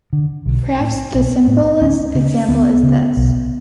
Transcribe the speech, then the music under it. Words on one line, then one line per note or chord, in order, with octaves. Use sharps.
Perhaps the simplest example is this.
D3
B1
A2
B1
A2
D2 C#4
C#3
D2 B3
C#3
B1